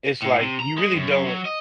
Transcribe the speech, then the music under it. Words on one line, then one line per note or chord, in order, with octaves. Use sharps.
it's like you really don't,
A2
C3
A#5
G#3
F#2
F#3
D#5